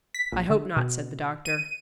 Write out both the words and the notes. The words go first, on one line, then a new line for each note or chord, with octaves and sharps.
"I hope not," said the doctor.
B6
A#1
D3
B2
D#7